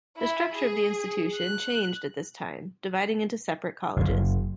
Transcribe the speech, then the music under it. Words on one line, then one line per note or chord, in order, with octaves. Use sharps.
The structure of the institution changed at this time, dividing into separate colleges.
E4
G#4
F#6
F#1